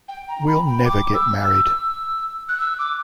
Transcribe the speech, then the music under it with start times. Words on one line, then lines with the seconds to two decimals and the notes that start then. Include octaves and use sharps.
We'll never get married.
0.08 G5
0.28 A#5
0.47 B5
0.66 G5
0.85 D6
1.14 E6
1.44 E6
2.49 F#6
2.59 E6
2.79 D6